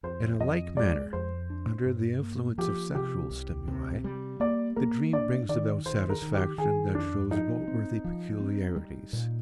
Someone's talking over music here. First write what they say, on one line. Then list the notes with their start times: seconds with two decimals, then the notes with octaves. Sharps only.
In a like manner, under the influence of sexual stimuli, the dream brings about satisfaction that shows noteworthy peculiarities.
0.03 F2 C5
0.40 F2 D#5
0.76 G#3 D5
1.13 F2 C5
1.50 D4
1.86 G2
2.22 A#3
2.58 F3 G4
2.95 C3 G4
3.31 C2
3.68 C3
4.04 G3
4.40 A#3 D5
4.76 A#3 A#4
5.13 D4 D5
5.49 D#3 D5
5.86 D#3 C5
6.10 A#4
6.22 D#3
6.34 G4
6.58 D#3 G#4
6.95 F2 D4
7.31 F3 D#4
7.68 C4
8.04 F3
8.40 C4
8.76 G3
9.13 A#2